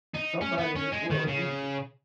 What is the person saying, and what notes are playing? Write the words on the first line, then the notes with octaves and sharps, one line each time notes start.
Somebody in this world needs it.
D#4
C#4
B3
C#4
G#3
D#3
C#3